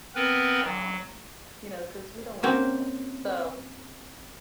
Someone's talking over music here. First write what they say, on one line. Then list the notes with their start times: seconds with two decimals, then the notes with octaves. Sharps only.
Um, you know, 'cause we don't want to be alone. So,
0.15 B3 C4 A#4 B4
0.65 F#3
2.43 A#3 C4 C#4 F#4